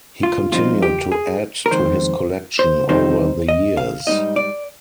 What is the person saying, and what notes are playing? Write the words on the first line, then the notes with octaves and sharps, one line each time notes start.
He continued to add to his collection over the years.
F4
G2 F3 C4 D#4 F4
G4
G#4
A#4
F2 D#3 G#3 C5
C5
C3 D#3 G3 C4 D#4 C5
D#5
F5
G#2 G3 C4 D#4 D#5
D5